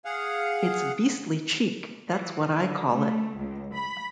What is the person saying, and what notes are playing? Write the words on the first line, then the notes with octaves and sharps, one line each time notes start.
It's beastly cheek, that's what I call it.
G#4 F5 F#5
E3
D3
A3
C#2
B5